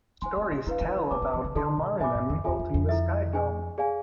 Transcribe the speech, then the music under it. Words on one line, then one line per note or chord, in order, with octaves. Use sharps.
Stories tell about Ilmarinen vaulting the sky-dome.
E4 C5 G#5 C6
C4
E4
D4 E4 B4 F5
D4
E4
D4 B4 D5 A5 D6
D4
E3
D3
D3 A4 D5 A5 C6
B2
G#2 C5 E5 G#5 B5 D6
G#2
F2
E2 F4 A4 E5 G#5
F2
F2
E4 A4 E5
D4 G#4 C5 G#5
G#4 D5 F5 G#5